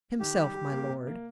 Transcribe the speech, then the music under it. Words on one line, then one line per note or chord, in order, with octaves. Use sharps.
"Himself, my lord."
D#3 G4
G3
G3
A#3
C3
A#3